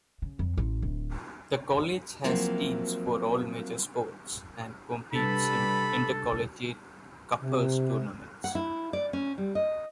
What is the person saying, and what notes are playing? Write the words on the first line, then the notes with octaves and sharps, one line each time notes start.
The college has teams for all major sports, and competes in inter-collegiate "cuppers" tournaments.
C#3
F2
A1
D1
F3 F#3 A#3 C4 E4
C3 G3 D4 G4 A4 B4 B5 B6
C3
F#5
E4
D5
C#4
G3
D#5